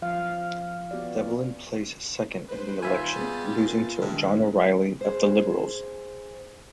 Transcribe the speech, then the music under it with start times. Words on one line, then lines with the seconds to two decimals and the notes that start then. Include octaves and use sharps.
Devolin placed second in the election, losing to John O'Reilly of the Liberals.
0.02 F3 F5
0.91 B3 F#4 G4 D5
2.48 B4 C5
2.83 D#2 G3 F4 E5 G#5
3.16 B3 G#4 A6
3.57 A#2 B4
4.01 G2 D#3 G#3
5.01 G#4 C5